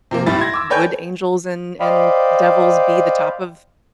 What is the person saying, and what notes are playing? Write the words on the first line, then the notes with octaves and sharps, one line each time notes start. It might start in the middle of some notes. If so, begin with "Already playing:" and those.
w w would angels and and devils be the top of
C3 F3 A#3
C2 A2 G3 E4 A6
E4 C6 G#6 A#6
D6 E6
A4 B4 C#5 G5 G#5 G6
C5 D5 D#5 F5 G5 B5